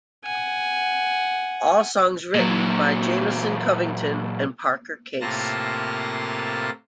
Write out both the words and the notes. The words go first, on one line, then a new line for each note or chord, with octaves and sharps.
All songs written by Jamison Covington and Parker Case.
F#5 G#5
A#2 F#3
A2 C3 A#3 F4 A5 A#6